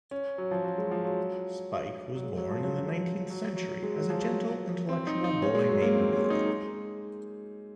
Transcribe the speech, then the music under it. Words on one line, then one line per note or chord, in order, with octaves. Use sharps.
Spike was born in the nineteenth century as a gentle, intellectual boy named William.
C#4
F#3
F3
F#3
G#3
F3
F#3
F#3
G#3
F#3
F3
F#3
F#3
F#3
G#3
F#3
F3
F#3
C4
D#4
D#4
C#4
G#3
F#3
A#3
C4
C#4
D#4
G#3